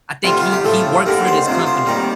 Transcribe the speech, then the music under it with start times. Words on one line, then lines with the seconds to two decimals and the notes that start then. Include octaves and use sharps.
I think he he worked for this company,
0.24 D2 C3 G3 F4
0.40 F4
0.52 G4
0.65 A2 F3 A4
1.05 D#2 D3 G3 A#4
1.27 C5
1.46 D2 C3 F3 C5
1.66 C5
1.87 D#2 D#3 G3 A#4